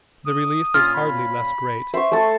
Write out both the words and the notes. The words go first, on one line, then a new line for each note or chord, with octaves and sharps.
The relief was hardly less great.
D#6
A#2 C#4 F4 F6
B5
C5 E5 C#6
A3 A4